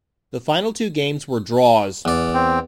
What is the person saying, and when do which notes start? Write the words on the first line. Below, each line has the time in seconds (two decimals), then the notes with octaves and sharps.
The final two games were draws.
2.05 E2 D5
2.34 C4